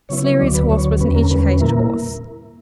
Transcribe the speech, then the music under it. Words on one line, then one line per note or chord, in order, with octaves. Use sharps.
Sleary's horse was an educated horse.
C#3 F#3 B3 E4 C#5
C#5
D2 D3 F#3 D5
B4
D2 D3 F#3 C#5
E2 D3 G3 C#4 B4
A#4
E2 D3 G3 C#4 B4
A#2 A#3 E4 A#4